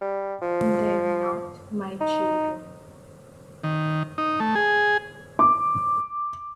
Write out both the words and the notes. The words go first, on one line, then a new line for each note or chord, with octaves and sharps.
They're not my children.
G3
F3
D#4
D#3
D#4
A3
G#4
D6